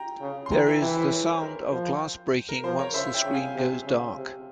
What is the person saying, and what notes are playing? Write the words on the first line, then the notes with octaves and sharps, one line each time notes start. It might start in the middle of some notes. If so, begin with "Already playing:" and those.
There is the sound of glass breaking once the screen goes dark.
Already playing: G5 A#5
C#3
C6
E3 G5 A#5
E5 G5
E3 E5 G5
C5 E5
A#4 C#5
C5
A#4
F3 C5
A#4
F3 C5
A#4 C#5
C#3 C5 E5
E5 G5
C#3
F5 G#5
C3
C#3
C3